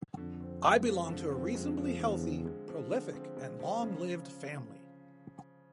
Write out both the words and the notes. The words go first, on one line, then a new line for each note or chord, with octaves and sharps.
I belong to a reasonably healthy, prolific, and long-lived family.
F2 D3
C4
G#3
F3
D3
C4
G#3
F3
E2 D3
C4
G#3
F3
D3
C4
G#3
F3
C#3